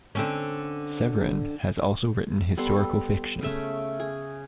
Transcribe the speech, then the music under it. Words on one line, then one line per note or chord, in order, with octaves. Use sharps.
Severin has also written historical fiction.
D3 C4 C#4
G3 B3 A4 C6
C#3 A3 E5
G#4